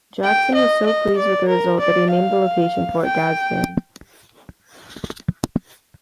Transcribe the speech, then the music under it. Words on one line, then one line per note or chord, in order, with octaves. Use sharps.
Jackson was so pleased with the result that he named the location Fort Gadsden.
G5
D#5
D#5
D5
A#4
D5
F5
G5